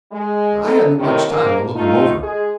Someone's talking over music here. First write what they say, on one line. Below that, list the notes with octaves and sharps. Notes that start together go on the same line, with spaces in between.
I hadn't much time to look him over.
G#3
B3 D#4 A4
F2 A2 C3 D#3
G#2 A#3
A3 D#4 F4
G#3 G#4